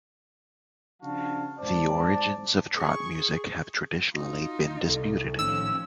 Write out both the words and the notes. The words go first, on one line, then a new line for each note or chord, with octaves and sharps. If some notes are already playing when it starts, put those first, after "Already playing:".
The origins of trot music have traditionally been disputed.
C#3 F3 D4 F#4 F5 A5
G#2 C4 C5 D5 A5
G#4 C#6
D#4 F4 F#4
C2 A4
A2 D#3 F3 C#4 E6